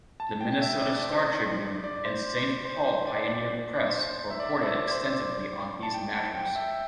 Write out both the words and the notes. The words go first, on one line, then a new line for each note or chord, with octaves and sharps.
The "Minnesota Star Tribune" and "Saint Paul Pioneer Press" reported extensively on these matters.
A5
G5
G5
E5
D5
D5
C5
D5
D5
C5
C5
D5
D5
C5
E5
D5
E5
D5
C5
C5
D5
A5
G5
A5
G5
G5
E5